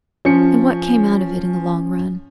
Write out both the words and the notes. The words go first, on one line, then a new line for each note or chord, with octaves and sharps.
'And what came out of it in the long run?'
F3 C#4 C#7